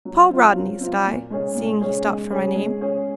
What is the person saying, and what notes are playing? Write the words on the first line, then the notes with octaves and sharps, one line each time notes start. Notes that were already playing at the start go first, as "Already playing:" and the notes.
"Paul Rodney," said I, seeing he stopped for my name.
F#3
C4 F4
F#3
C4 F4
A#2
G#3 C#4 G#4
A#2
G#3 C#4 G#4
G#3
C#4 G#4
G#3
C#4 G#4